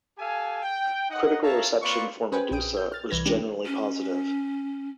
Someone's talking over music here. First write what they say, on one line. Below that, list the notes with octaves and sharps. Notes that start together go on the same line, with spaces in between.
Critical reception for "Medusa" was generally positive.
G4 A4 F5 G#5
G5
D#4 D#5 F#5
C#5 E5 F5 A5 A#5
A#3 C4 F4 B4 D5 C#6
C#4 G#4 B4 C5 G5 G#5
A#1 G5 D#6 D7
G6
F6 A6
C2 E3 B4 G#6 A#6
G#3 C#4 D4 G4
C#4